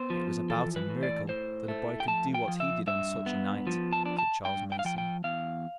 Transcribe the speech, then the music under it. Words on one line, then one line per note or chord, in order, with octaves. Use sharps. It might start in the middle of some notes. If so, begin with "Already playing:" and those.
"It was about a miracle that a boy could do what he did on such a night," said Charles Macey.
Already playing: B3 C5
F3
E3 A4
B4
A2
D5
A2 C5
A3
G5
F3 A5
G5
F3
E5
G2 E5
B3
F3
A5
D4
A5
G2 G5
G5
F5
F3 G5
G5
E2 F5